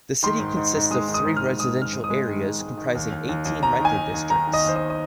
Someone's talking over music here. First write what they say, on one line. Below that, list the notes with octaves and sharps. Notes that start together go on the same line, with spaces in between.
The city consists of three residential areas comprising eighteen microdistricts.
D#3 C6
G#2
G#2
G#2
G#3 D#6
D#3
D#6
G#2
F6
G#2
G#3 D#6
D#3
F6
G#2
D#6
G#3
D#3
G#2
G#3
D#3
D#2
D#2
D#2
D#2
D#2 A#5
D#3 G#5
D#3
D#2
D#3 A#5
D#3
D#5
D#2 C5
D#5
D#5